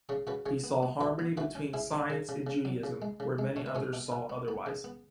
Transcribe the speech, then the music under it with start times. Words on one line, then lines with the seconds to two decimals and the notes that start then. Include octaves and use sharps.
He saw harmony between science and Judaism, where many others saw otherwise.
0.09 C#3 G#4 C#5
0.27 C#3 F#4 B4
0.46 C#3 G#4 C#5
0.64 B3
0.83 B3
1.01 E3 F#4 B4
1.19 B3
1.37 E3 F#4 B4
1.55 C#4
1.73 C#4 E4 G#4
1.92 C#4
2.10 C#3
2.29 C#3
2.47 C#3
2.65 F#3
2.84 C#3
3.02 G#3
3.20 C#3
3.39 G#3
3.56 B2 C#5
3.66 B4
3.75 B2 G#4 C#5
3.93 B2
4.12 B2
4.30 B3
4.48 B3
4.66 C#3
4.84 B3